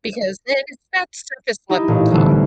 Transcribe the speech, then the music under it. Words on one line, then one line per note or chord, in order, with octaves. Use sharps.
Because then it's not surface level talk.
D#4 E4 G4
A1 A#2
C2 D3 E3 G3 A3 B3